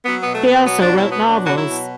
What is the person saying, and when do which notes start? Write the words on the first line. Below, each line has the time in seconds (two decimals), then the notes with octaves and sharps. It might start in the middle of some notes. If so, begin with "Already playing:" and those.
He also wrote novels.
0.04 F#3 B3
0.20 B3
0.26 B2
0.35 A3
0.45 B2 B3
0.65 F#3 B3
0.81 D4
0.87 B2
0.92 F#4
0.97 E4
1.07 B2 B3
1.27 F#3 D4
1.46 F#3 F#4
1.58 E4
1.68 B2